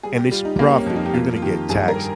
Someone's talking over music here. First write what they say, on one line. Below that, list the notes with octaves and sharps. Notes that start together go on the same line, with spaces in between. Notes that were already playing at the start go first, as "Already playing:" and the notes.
and it's profit, you're going to get taxed
G3 G#4
G4
G3 F4
D#4
A#3 C4
C#4
F2
D#4
G4
A#3 F4
F4
D#3 G4
G2 G#4
A#4